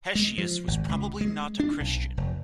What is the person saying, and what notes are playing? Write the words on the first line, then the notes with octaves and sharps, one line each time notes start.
Hesychius was probably not a Christian.
G#3
F3
G#1
C#2
G#3
D4
B1
F1